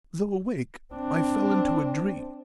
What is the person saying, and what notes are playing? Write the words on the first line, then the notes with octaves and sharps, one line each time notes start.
Though awake I fell into a dream.
C4 D4